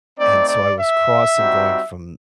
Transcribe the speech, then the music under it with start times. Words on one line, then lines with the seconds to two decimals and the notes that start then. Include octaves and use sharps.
and so I was crossing going from
0.19 A3 C4 D#4 D5
0.48 D5
0.79 E5
1.38 G3 C4 D#4 F#4